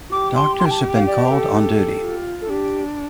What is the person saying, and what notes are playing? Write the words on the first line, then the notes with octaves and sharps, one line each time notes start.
Doctors have been called on duty.
G4 D6
C6
C6
G5
A5
F5
D5
C5
A4
F4
A4
D4 G4